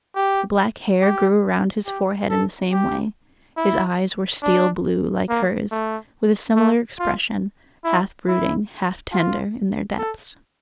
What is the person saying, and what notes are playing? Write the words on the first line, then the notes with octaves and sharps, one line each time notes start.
The black hair grew around his forehead in the same way; his eyes were steel blue, like hers, with a similar expression, half brooding, half tender, in their depths.
G4
G4
G4
A4
G4
E4
D4
A#3
A3
A3
F4
E4
E4
F4
A4